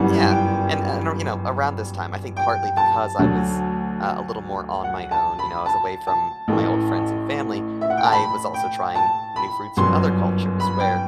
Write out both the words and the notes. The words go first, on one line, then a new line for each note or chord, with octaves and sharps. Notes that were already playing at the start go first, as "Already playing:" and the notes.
Yeah, and and, you know, around this time, I think partly, because I was uh, a little more on my own, you know, I was away from my old friends, and family, I was also trying new foods from other cultures where,
Already playing: G1 F#2 E3 G3 F#5
G5
G5
A5
D2 D3 F#3
F#5
A5
B5
A5
A5
A1 A2 E3
E5
F#5
G5
A5
B5
G5
A5
B5
G1 F#2 F#3 C6
B5
G5